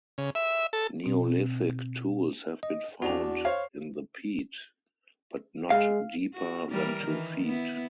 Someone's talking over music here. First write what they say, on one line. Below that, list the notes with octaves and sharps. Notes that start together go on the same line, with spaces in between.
Neolithic tools have been found in the peat, but not deeper than two feet.
C#3
E5
A4
B2 C4
D#5
E2 D4 F#4 F7
C5 C#5 F5
G#3 F5
F#4
E3 G3 A#4
D#3 E3
B3 E4